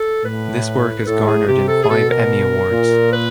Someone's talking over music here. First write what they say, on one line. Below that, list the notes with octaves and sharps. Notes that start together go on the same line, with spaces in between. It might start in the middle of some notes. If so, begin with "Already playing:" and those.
This work has garnered him five Emmy Awards.
Already playing: A4
A2 B4
A2 A4
G#4
C3 G4
A4
G#4
B2 A4
A#4
A#2
B4